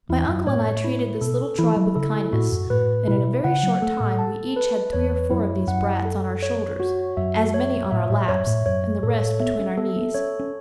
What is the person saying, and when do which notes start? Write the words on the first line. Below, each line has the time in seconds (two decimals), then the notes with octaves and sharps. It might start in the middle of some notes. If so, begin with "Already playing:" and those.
My uncle and I treated this little tribe with kindness; and in a very short time we each had three or four of these brats on our shoulders, as many on our laps, and the rest between our knees.
0.09 E2 E4
0.28 F#2
0.46 A2 C#5
0.84 E4
1.21 B2 A4
1.58 E3 E4
1.77 F#3
1.95 C#3 A4
2.33 A2 F#4
2.52 F#2
2.70 A2 B4
3.07 B2 E4
3.44 C#3 F#5
3.63 F#3
3.82 A3 A4
4.00 A2
4.19 A5
4.56 B4
4.93 E2 C#5
5.30 F#2 E4
5.67 F#2 F#5
6.05 A4
6.42 C#5
6.80 F#4
7.17 F#2 E5
7.54 C#5
7.91 A2 E5
8.10 A2
8.28 F#2 C#5
8.47 A2
8.66 F#2 C#5
9.03 A2 A4
9.40 B3 E5
9.59 C#4
9.77 B3 A4
9.96 B3
10.14 C#4 C#5
10.40 C#4